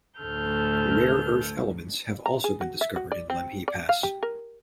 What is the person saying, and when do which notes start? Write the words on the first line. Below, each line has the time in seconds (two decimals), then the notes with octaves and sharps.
Rare earth elements have also been discovered in Lemhi Pass.
0.19 D2 A2 A4 F6 G6
2.26 A#5
2.44 G#4
2.61 F#4
2.81 E5
2.96 F#4
3.12 D5
3.30 C4
3.68 D5
3.89 F5
4.03 G4
4.23 A#4